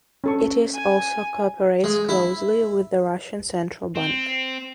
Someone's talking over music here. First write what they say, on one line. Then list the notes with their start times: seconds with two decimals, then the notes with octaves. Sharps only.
It is also cooperates closely with the Russian Central Bank.
0.24 C#4 A4 C#6
0.75 G#5
1.84 G#3
2.09 E4
3.96 C4